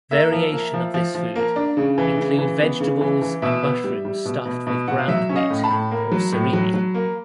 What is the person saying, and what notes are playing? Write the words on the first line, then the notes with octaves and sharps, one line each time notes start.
Variation of this food include vegetables and mushrooms stuffed with ground meat or surimi.
A#3 E5
F3
A#3
F3
F3
F3
A#3
D4
C#3
E3
C#3
E3
B3
C#3
E3
E3
B2 E5
B3
G3
G3
B2
B2
B2
B2 F#5
F5
F#3 E5
C#4
D#5 F5
A2
A5 B5
A2
A#3
F#3
A2
F#3
F#3
A#3